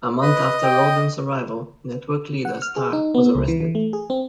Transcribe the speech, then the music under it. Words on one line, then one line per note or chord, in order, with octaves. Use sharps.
A month after Rowden's arrival, network leader Starr was arrested.
B4 D#5
G5
F#5
F6
G#4
D#4
B3
C#2
E3
E3
A3
G#4
C4